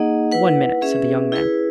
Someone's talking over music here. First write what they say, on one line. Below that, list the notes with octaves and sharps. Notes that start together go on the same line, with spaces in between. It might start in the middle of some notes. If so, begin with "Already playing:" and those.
"One minute," said the young man.
Already playing: A#3 D#4 G#4 D#5 F#5
E4 B4 F#5
C#4 G#4 B4 E5
E4 G#4 B4